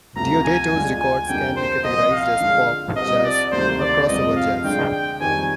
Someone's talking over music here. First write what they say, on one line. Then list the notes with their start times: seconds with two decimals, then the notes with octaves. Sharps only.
Deodato's records can be categorized as pop, jazz or crossover jazz.
0.16 D2 C3 F3 A#5
0.45 G#5
0.72 D2 D3 G#3 D4 F4
1.01 G#5
1.28 F2 D3 G3 A#3 G5
1.57 C5
1.84 C2 A#2 F3 D#5
2.12 F5
2.40 D3 G#3 D4 F4 G#4
2.96 C2 C3 G3 C4 F4 D#5
3.24 D5
3.52 D2 C3 D#3 G3 A#3 C5
3.80 D5
4.08 F2 C3 F3 G#3 C4 D#5
4.36 F5
4.64 D3 G#3 D4 G#4 G5
4.92 G5
5.20 F2 D#3 G3 C4 G#5